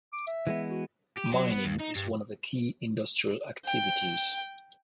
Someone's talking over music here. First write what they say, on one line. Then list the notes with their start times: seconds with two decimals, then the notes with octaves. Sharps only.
Mining is one of the key industrial activities.
0.13 D6
0.27 E5
0.47 E3 G#3 B3
0.70 F#4
1.18 G4
1.34 F#3
1.52 B3
1.66 D#2
1.80 D#4
1.96 G2
3.65 G5